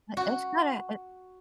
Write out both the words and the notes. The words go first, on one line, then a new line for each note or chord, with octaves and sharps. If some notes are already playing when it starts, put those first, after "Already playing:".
I it's gotta
F#4